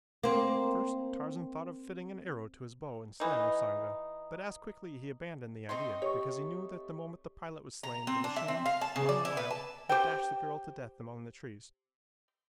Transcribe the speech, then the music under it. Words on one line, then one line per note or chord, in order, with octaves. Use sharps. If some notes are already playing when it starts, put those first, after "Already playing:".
At first Tarzan thought of fitting an arrow to his bow and slaying Usanga, but as quickly he abandoned the idea because he knew that the moment the pilot was slain the machine, running wild, would dash the girl to death among the trees.
A#3 C4
E3 D#4
A3 C4 D#4 C6
G4 C#5 C#6
A#5
C4
D4
E5
C4
F5
A5
C#3
D5
E4
B4
A5
G4 C5 G5